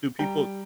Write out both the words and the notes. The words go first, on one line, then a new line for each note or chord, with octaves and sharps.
do people
G3 G5 A#5